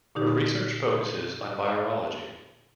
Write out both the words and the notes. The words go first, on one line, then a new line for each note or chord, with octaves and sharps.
Her research focuses on virology.
A#2 D3 D#4 G4